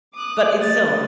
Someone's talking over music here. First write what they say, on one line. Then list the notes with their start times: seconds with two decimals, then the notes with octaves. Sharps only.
but it's still
0.13 D6 D#6 F#6
0.60 A3 D#5 A6